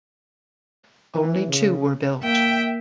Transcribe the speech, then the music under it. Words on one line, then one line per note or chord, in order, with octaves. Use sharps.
Only two were built.
E3
C#3
A#3 E5 G5